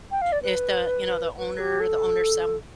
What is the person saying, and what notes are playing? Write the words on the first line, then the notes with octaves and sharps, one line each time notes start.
If the, you know, the owner the owner's son
G5
F5
D5
B4
B4
G4
A4